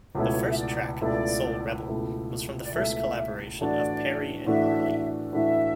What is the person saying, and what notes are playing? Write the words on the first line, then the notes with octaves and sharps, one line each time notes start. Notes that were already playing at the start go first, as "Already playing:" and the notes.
The first track, "Soul Rebel", was from the first collaboration of Perry and Marley.
C#2 B2 A3 E4 C#5
F#5
E5
D5
C#2 B2 A3 E4 D5
C#2 B2 A3 E4
D5
C#2 B2 A3 E4 E5
A2 E3 A3 D4 F#4 D5
A2 E3 A3 D4 F#4 E5
A2 E3 A3 D4 F#4 E5